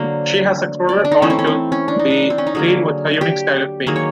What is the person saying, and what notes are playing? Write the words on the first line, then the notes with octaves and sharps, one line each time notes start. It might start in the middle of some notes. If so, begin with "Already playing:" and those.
She has exploded onto the scene with her unique style of painting.
Already playing: D3 F#3 A#3 C5
D5
D4
D#4
E3 A3 C#4
C4
C#4
C4
C#4
D4
D#4
D4
C4
C#4
D#4
D3 F#3 A#3 G#4
G4
D#3 F#3 A#3 G#4
C#5